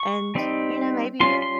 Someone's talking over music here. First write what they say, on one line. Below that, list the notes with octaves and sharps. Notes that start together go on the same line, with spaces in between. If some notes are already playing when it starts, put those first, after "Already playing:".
and, you know, maybe
Already playing: C#6
G3 C4 D#4
G3 C#4 F4 C6
C6